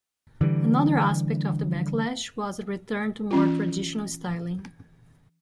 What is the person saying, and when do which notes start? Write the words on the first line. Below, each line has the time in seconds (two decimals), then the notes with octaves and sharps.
Another aspect of the backlash was a return to more traditional styling.
0.41 D3 E3 G3
3.31 E3 C#4 F4